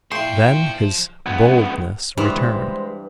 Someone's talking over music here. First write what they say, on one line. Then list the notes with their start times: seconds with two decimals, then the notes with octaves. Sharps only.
Then his boldness returned.
0.12 A#2 F3 E4 C5 G5 C6 C#6
1.26 C#2 B3
2.17 G2 E3 G#3 B3 C5